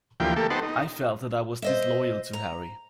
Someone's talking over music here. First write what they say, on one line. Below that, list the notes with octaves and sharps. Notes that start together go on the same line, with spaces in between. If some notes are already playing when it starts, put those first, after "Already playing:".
I felt that I was disloyal to Harry.
D2 E3 F3 A#3 G4 G5
A3 A#3 G4 A4
B3 D#4 G4 C5 F#5 A5
D#4
C5 D#5 E5
A#5